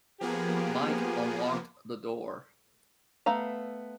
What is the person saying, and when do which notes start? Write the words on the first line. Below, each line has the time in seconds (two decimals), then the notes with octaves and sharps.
Mike unlocked the door.
0.21 F3 A#3 B3 G4 G#4
3.26 A3 B3 F5 A#5